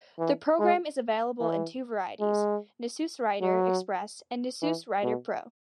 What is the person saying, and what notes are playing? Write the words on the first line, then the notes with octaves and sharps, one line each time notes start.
The program is available in two varieties: Nisus Writer Express, and Nisus Writer Pro.
E3
G#3
E3
G#3
F#3
E3
B2